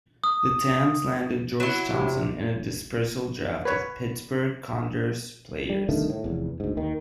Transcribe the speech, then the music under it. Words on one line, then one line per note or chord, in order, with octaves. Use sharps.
The Tams landed George Thompson in a dispersal draft of Pittsburgh Condors players.
D#6
F#3 E4
C3
B4 C#5
G3
C2 D3 D#3 A3
A2
F1 E2
D2 G#2
D#2 D#3